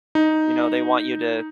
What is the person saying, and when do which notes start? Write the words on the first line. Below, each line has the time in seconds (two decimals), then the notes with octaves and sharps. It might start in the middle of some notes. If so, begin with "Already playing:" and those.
you know, they want you to
0.15 D#4